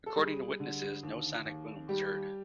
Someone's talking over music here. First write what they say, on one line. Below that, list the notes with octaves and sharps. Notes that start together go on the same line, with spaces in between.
According to witnesses no sonic boom was heard.
A4
G3 G#4
D3
D#2
D#2
G3 G4